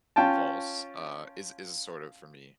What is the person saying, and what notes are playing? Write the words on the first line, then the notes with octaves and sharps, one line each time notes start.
false, uh, is is sort of, for me,
C#4 F4 G5 A5